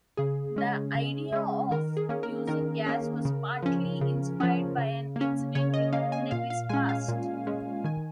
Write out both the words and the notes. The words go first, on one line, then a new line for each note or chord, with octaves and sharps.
The idea of using gas was partly inspired by an incident in Nebe's past.
C#3 G#4
G#3 C#4
C#3
G#3 C#4
D#3 A#4
G#4
A#3 C#4
A#4
D#3 A#4
A#3 C#4
C#3
F3 C#4
C#3
F3 C#4
C#3
A#3
C#4
C#3 C#5
D#5
A#3 C#4 F5
G#5
A#2 F5
F5
G#3 C#4 G#5
F5
A#2
G#3 C#4
D#3 G#5